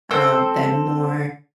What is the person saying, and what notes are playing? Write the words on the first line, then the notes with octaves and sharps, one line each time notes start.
uh, them more
C4 A4 C5 E6